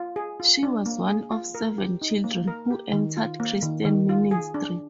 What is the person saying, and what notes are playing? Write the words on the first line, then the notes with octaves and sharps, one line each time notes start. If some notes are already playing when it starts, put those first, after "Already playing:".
She was one of seven children who entered Christian ministry.
Already playing: F4
G#4
F4
D4
A#3
G#4
F4
A#4
G4
D#4
A#3
A#4
G4
D#3
F4
A#3
D#3
D#3
F4
G#4
D4